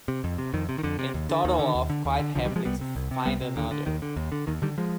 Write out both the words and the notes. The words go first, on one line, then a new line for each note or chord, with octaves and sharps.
And toddle off quite happily to find another.
C3
F2
C3
F2 D#3
C3
D#3
F2 D3
C3
D#2
D3
D#2 D#3
D3
D#2
D3
D#2
D3
C2 D3 F3
D#3 G3
C3
F3 G#3
C2 G3 B3
C3
C2
C3
C2 G3 B3
C3
D#2 D3
D3
D#2 D#3
D3
D#2
D3
D#2 D#3
D3 D#3 G3
F3 G#3